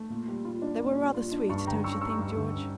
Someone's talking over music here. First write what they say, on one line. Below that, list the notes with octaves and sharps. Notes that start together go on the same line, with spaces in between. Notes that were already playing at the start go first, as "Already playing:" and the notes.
"They were rather sweet, don't you think, George?"
Already playing: A3
A#2
G3
F4
D4
A#2
G3
F4
D4
G2 A5 C#6
D3 G5 A#5
C#4 C#6 E6
G3 C#6 E6
G2
D3
C#4